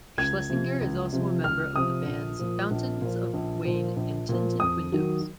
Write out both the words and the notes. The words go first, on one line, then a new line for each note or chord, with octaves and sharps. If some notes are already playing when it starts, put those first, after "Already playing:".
Schlesinger is also a member of the bands Fountains of Wayne and Tinted Windows.
C#2 G#6
C3 F3
C#2
C3 F3
C#2 F6
C3 F3 D#6
A#1
A#2 F3
A#1
A#2 F3
A#1
A#2 F3
A#1
A#2 F3
F2 D#6
D#3 F#3